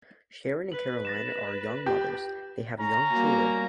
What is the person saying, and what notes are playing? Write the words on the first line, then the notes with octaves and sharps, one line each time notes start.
Sharon and Caroline are young mothers, they have young children.
B4 F#7
A6 A#6 E7
G4 G6
C#4 A#5
G3 A#3 F#4